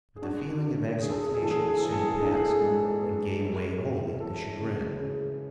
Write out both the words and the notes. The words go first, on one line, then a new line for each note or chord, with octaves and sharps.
But the feeling of exultation soon passed and gave way wholly to chagrin.
G#4
D4 F#4
D4
D4 G#4
A4
G#4
A4
G#4
E3 A4
G#4
A4
G#4
A4
E3 G#4
A4
G#4
A4
G#4
D4 A4
G#4
A4
G#4
G#2 A4
G#4
A4
G#4
A4
B3 G#4
A4
G#4
F#2
F#2
E3 A4
C#3
C#3